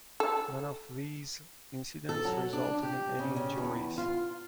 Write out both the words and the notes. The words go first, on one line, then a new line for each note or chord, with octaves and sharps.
None of these incidents resulted in any injuries.
A4
A4
F#3
D4
G4
C#3
C#3
E2
F4